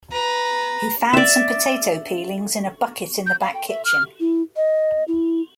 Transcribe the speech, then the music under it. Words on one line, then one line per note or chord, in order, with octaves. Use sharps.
He found some potato peelings in a bucket in the back kitchen.
B4 A#5
D5 E5
G6
F5
G5
E5
F6
E4
D#5
E4